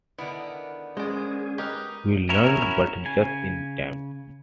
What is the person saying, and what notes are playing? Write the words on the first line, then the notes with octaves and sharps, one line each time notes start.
We learned but just in time.
D3 D#3 B3 E4 D5
G#3 C#4 G#4 C5 D5
D#4 G4 A#4 B4
C#4 E4 F#4 A#4 C#5
C#3 G#5